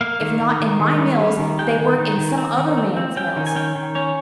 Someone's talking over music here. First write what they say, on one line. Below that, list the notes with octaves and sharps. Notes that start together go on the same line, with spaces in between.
If not in my mills, they work in some other man's mills.
A#3 F5
D#3
D#3
D#3
D#3
G3
G3
D#3
G#3 G5
D#3
D#3
D#3
C4
D#3
C4
C4
C#4 G5
D#3
G#5
C#4 G5
D#3
C#4 C#5